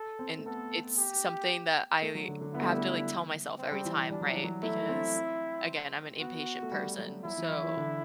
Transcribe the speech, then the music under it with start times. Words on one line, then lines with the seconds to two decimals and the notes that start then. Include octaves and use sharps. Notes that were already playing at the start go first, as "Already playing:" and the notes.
And it's something that I have to, like, tell myself every time, right, because, again, I'm an impatient person, so
Already playing: A4
0.19 C4
0.39 A3
0.46 B3 A4
0.98 G4
2.02 A3
2.15 F#3
2.28 D3
2.41 D3
2.54 B3 E4
2.62 A3
2.69 G3
2.78 A3
3.59 C4
3.72 G3
3.85 E3
4.11 G3 D4
4.21 F#3
4.32 E3
4.44 F#3
4.63 A3 E4
4.89 C4
6.19 B3 F#4
6.62 A3
6.72 G3
6.98 F#3
7.24 F#3 E4
7.37 E3
7.50 E3
7.63 E3
7.77 D3